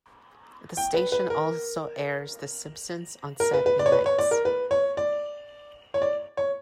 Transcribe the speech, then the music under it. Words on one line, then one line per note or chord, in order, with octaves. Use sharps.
The station also airs "The Simpsons" on Saturday nights.
G5
B4
B4
A#4
A#4
B4
B4
D5
C#5
B4
C#5
D5
A#4
B4
C#5
D5
C#5
D5
C#5